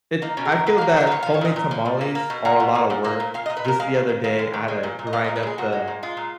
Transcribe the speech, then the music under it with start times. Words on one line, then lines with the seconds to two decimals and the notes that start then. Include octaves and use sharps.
it I feel that homemade tamales are a lotta work. Just the other day, I had to grind up the
0.22 A#3 D#4
0.37 B2 C#4
0.45 G#4
0.52 B2 A#4
0.67 F#3 B4
0.78 F5
0.81 A#3
0.89 F#5
0.97 F#3 F5
1.07 B4
1.11 A#2 C#5
1.23 F5
1.26 F3
1.34 C#5
1.41 A#2 D#5
1.56 A#2
1.71 F3
1.86 A#2
2.01 A#3
2.15 A#3
2.30 B2
2.45 A#3 F#5
2.60 B2
2.75 A#3
2.90 A#2
3.04 A#3
3.20 A#2
3.34 A#2 F5
3.46 D#5
3.50 A#2
3.57 B4
3.65 A#2 A#4
3.80 G#3 F5
3.94 D#3
4.09 D#3
4.24 D#3 F5
4.39 G#3
4.54 D#3
4.68 G#3
4.83 A#2
4.99 A#2
5.07 D#5
5.13 A#2 F5
5.24 D#5
5.28 A#2
5.36 B4
5.43 G#3 G#4
5.58 A#2 F#4
5.73 G#3
5.87 A#2
6.03 G#3 F4
6.17 A#2